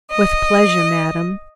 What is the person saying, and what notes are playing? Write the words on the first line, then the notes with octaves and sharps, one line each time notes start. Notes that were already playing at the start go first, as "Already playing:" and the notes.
"With pleasure, madam."
D#5